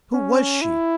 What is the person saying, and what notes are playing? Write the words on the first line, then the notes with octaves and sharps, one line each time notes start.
Who was she?
C#4
E4